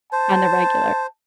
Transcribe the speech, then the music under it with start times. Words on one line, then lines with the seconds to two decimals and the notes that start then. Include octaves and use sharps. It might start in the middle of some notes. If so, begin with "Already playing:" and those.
on the regular.
0.13 C5 A5